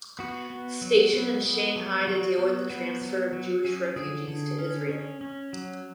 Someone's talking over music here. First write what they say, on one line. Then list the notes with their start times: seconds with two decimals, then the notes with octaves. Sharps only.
Stationed in Shanghai to deal with the transfer of Jewish refugees to Israel.
0.19 B3 F#4
0.50 B3
0.81 F#3
1.13 B3
1.45 B3
1.76 F#3
2.07 F#3 F#4
2.38 B3
2.70 B3
3.01 F#3
3.33 F#3
3.65 C#4
3.96 D3 G#4
4.27 D3
4.59 C#4
4.89 C#4
5.21 C#4
5.53 F#3